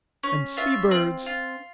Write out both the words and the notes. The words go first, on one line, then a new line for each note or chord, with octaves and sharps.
And sea birds!
C#4
F4 E5
C4
F4